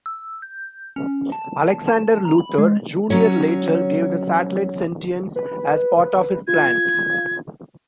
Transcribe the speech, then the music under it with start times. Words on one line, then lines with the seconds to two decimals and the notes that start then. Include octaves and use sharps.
Alexander Luthor, Junior later gave the satellite sentience as part of his plans.
0.06 E6
0.42 G6
0.96 C#4
1.32 A5
1.87 A5
2.25 A#5
2.38 B5
2.58 G#3
3.10 F#3 C#4 C#5
5.36 B4
6.48 F4 G#6